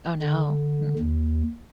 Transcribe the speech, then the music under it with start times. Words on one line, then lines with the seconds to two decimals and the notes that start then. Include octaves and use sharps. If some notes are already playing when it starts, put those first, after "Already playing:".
Oh, no, mm-mm.
0.22 D3
0.99 D#2